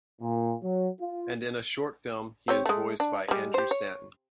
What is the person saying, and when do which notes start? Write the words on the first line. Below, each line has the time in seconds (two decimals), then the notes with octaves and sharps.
And in a short film he is voiced by Andrew Stanton.
0.22 A#2
0.63 F#3
1.01 F4
2.48 C4 G4 C#5
2.66 G#3 A3
3.00 D4
3.28 G3 G#3
3.54 G4 C5
3.71 C#5